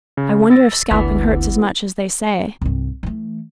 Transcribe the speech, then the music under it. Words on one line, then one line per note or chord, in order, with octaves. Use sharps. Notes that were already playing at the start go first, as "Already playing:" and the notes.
I wonder if scalping hurts as much as they say.'
C#3
E6 A6 A#6
G1 D2 E3 B3 B6
C2 G2
E3 A3